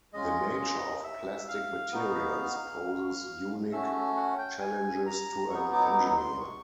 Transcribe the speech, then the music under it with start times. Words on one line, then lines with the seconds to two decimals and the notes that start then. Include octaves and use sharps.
The nature of plastic materials poses unique challenges to an engineer.
0.13 G#3 C#4 F4 D#5
1.03 E5
1.48 F5
1.92 B3 D#4 F#4
3.72 A3 C#4 F#4 E5
4.17 F#5
4.38 G5
4.60 G#5
5.06 A#5
5.50 F#3 B3 D#4 C#6
5.73 D6
6.17 C6
6.41 C#6